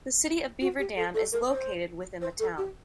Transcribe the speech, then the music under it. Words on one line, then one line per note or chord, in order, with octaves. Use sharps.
The City of Beaver Dam is located within the town.
F#4
G4
A4
A4
A#4
C5
C5
A4
G4